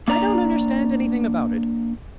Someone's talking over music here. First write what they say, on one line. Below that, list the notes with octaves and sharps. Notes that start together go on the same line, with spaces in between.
I don't understand anything about it.
A#3 D4 D5 A#5